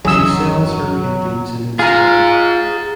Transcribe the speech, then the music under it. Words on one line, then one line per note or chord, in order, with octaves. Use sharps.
She sells her paintings in Instagram.
G1 E2 C#3 F#3 G#4 E6
F4 G#4 F5 A#5